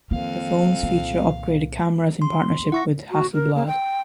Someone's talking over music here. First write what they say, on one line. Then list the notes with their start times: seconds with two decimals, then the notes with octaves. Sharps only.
The phones feature upgraded cameras in partnership with Hasselblad.
0.11 F2 D#3 A#3 F5
0.83 C2 A#2 D#3
2.22 C6
2.72 E4 F#5 C#6 A#6
3.11 F#4
3.34 A#4
3.55 A#3
3.67 G5